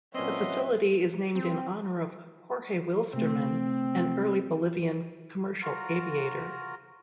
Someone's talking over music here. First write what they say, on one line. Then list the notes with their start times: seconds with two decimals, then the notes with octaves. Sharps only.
The facility is named in honor of Jorge Wilstermann, an early Bolivian commercial aviator.
0.15 A#2 F#3 C4 C#4 B4 D#5 E5 C6
1.35 C4
3.13 C3 A3 C4
5.62 F4 F#4 A#4 A#5